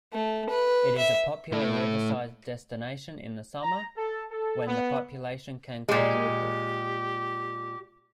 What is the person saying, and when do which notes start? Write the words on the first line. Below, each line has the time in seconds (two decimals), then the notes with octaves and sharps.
It is a popular riverside destination in the summer, when the population can quadruple.
0.13 A3
0.49 B4
0.98 E5
1.52 A3 E4
3.62 A#5
3.96 A4
4.31 A4
4.67 B3
5.89 A#2 G#3 G4